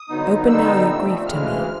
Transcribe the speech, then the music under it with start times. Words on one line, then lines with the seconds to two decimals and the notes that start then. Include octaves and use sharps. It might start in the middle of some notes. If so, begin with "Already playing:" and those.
Open now your grief to me.
Already playing: D#6
0.09 G2 D3 F#3 B3 D#4
0.49 D3 G3 B3 D#4 E6
0.88 A#2 F3 A3 C4
1.27 D2 C#3 E3 G#3 F6